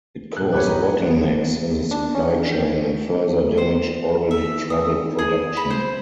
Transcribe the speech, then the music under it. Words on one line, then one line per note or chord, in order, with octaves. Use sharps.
It caused bottlenecks in the supply chain and further damaged already troubled production.
A#2 F#6
C#2 G2 B2 G4 B4 C#5
E2 F3 A#3 D#4
D4
C#4
E3
G5
C5
E5
D#6
G#4
B5
C5